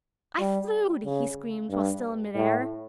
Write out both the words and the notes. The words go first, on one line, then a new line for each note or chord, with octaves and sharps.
"I flewed!" he screamed while still in mid-air.
G3
C#3
G2
A2